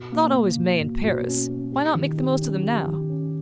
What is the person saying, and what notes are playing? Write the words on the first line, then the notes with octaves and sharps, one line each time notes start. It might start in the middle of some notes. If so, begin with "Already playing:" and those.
It's not always May and Paris--why not make the most of them now?
Already playing: B2
A#3
A#3
B2
B2
B2
C#4
C#4
G4
D#3
G4
C#4
G4
D#3
C#4